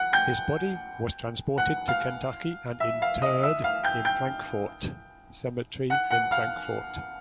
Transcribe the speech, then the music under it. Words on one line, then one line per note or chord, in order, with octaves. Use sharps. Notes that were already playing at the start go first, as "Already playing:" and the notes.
His body was transported to Kentucky and interred in Frankfort Cemetery in Frankfort.
Already playing: F#5 F#6
G5 G6
F#5 F#6
F5 F6
E5 E6
F5 F6
D#5 D#6
E5 E6
F5 F6
G5 G6
G5 G6
F#5 F#6
F#5 F#6
F5 F6